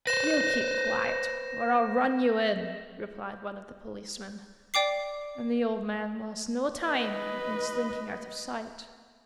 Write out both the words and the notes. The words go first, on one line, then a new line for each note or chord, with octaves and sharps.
"You keep quiet, or I'll run you in," replied, one of the policemen, and the old man lost no time in slinking out of sight.
B4 C5 A#6 E7
D5 G5 D6 C7
B4 D#5